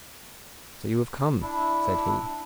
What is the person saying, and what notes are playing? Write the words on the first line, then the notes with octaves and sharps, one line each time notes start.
"So you have come?" said he.
D4 E4